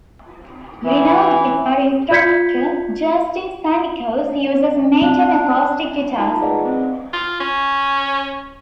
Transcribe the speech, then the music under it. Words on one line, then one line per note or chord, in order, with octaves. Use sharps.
Renowned guitar instructor Justin Sandercoe uses Maton acoustic guitars.
E3
F4 D5 G6 G#6 B6 C#7
C4 D4
D#4 F4 A#4 A5 A#5
G#4 B4 D5 D#5 F5 F#5
C4
F4
C#4